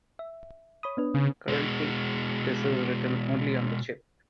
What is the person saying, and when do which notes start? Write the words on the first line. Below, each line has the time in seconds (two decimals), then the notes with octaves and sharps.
Currently, this is written only on the chip.
0.19 E5
0.83 C#5 B5 D#6
0.97 B3 D4 B4
1.14 C#3 C#4
1.48 B2 G#3